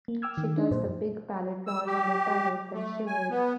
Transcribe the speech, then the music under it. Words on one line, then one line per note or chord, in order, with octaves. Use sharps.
She touched the big, pallid flowers on their petals, then shivered.
A#3
G5 D6 E6 F6 G#6
D#3
D4 D#4
F#2 A#2 C5
E6
G4
A3
G#5
B3